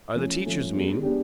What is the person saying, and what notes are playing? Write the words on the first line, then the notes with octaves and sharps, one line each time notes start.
"Are the teachers mean?"
F3 A3 C#4
F3 A3 C#4
G#3 B3 D4 G4
G#3 B3 D4 G4